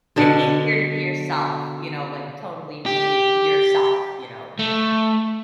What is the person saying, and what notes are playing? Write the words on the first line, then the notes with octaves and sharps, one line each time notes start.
And easier to be yourself, you know, like, totally be yourself, you know?
B2 D3 D4
G4
A3